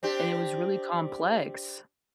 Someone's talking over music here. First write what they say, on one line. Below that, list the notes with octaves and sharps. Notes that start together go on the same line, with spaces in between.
and it was really complex.
C4 D4 G4